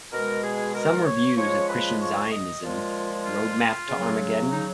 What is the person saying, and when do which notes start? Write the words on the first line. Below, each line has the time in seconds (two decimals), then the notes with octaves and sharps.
Some reviews of Christian Zionism - Road Map to Armageddon?
0.13 B2 G#3 A#4
0.44 G#4
0.74 A#4
1.06 C#5
1.37 C#3 F3 G#3 C#5
1.69 B4
2.01 C#5
2.32 D#5
2.63 A#2 F3 G#3 F4
3.26 F4
3.89 C#3 F#3
4.51 D#4